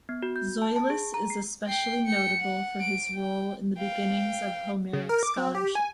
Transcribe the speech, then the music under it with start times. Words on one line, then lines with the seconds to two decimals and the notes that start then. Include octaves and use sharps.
Zoilus is especially notable for his role in the beginnings of Homeric scholarship.
0.09 B3
0.23 F#4
0.36 G6
0.62 A5
0.76 A5
0.90 G#4
1.14 A#5
1.30 C7
1.66 G5 C7
2.06 G5 C#7
2.40 F#5
2.80 D7
3.15 G5
3.78 F5 G5
4.93 C#3
5.09 A#4
5.23 D6
5.37 C4
5.55 G4
5.75 G#5